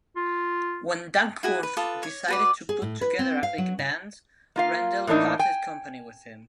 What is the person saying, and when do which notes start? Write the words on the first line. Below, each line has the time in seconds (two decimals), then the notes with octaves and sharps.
When Dankworth decided to put together a big band, Rendell parted company with him.
0.16 F4
1.43 E4 F#4 G#4
1.63 B4
1.77 F4 A4 B4 D#6
2.03 C#5
2.28 F#4 B4 D5
2.69 G#4
2.82 A2
3.01 B4
3.19 C4
3.43 F5
3.58 F#3
3.79 C#3
4.56 A#3 F4 F5
5.07 A2 E3 A#3 D4 D#4
5.39 G5 G#5